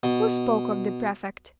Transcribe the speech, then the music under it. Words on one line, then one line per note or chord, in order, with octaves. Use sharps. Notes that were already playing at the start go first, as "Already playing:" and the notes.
'Who spoke of the prefect?
B2